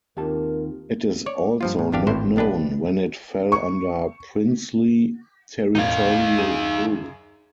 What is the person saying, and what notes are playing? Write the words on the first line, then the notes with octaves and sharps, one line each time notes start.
It is also not known when it fell under princely territorial rule.
D#2 C4 D#4 F4 G4 A#4 A5
C#5 D5
G2 F3 F4
A2
G#1 E3 D4 G4 F5
G#1 A2 E3 C4 E4 C5
B1 G#3 D4 G4 B4
C#6
E1 A1 D#4 F5 G#6
F#2 G#4 D#7